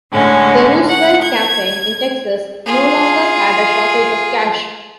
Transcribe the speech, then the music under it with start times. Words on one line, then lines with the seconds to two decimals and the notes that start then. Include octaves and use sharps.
The Roosevelt campaign in Texas no longer had a shortage of cash.
0.12 A2 D3 G#3 C#4
0.87 F#5
1.22 G#6
2.66 F4 G#4